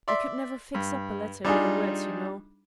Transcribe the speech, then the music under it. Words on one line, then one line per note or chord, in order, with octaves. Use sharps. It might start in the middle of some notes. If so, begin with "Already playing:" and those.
I could never fix up a letter in your words, you know.
D5 E5 C6
G2
G3 D4 D#4 F4 G#4